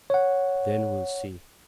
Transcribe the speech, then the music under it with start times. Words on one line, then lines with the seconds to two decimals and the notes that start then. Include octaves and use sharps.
Then we'll see.
0.10 C#5 F#5